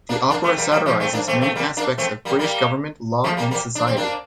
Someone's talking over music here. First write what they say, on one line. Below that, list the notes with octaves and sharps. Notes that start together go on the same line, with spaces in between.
The opera satirises many aspects of British government, law and society.
A#3 D4
A#3 D4
A3 C4
G3 A#3
G3 A#3
F3 A3
A3 C4
A#3 D4
A3 C4
A3 C4
G3 A#3
A#3 D4
A3 C4
G3 A#3
G3 A#3
F3 A3
G3 A#3
G3 A#3
D4
C4
A#3 D4